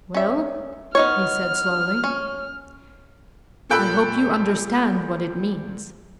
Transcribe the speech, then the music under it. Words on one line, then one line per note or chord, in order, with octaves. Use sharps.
"Well," he said, slowly, "I hope you understand what it means?"
C#4 E5
B3 D#4 C#5 F6
C#4
A#2 A4 G5 B5 E6 F#6